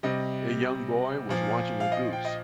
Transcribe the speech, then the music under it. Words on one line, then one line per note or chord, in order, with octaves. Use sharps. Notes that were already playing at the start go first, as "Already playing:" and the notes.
A young boy was watching a goose.
C3 G3 D#5
A#2 F3
F5
D#5
G5
D#5